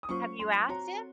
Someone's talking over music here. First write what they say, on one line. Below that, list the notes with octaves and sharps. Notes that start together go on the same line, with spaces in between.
Have you asked him?
D#6
F#3 A#3 C#4 F4 C5 C#6
C6
C4 F#4 C#5 A#5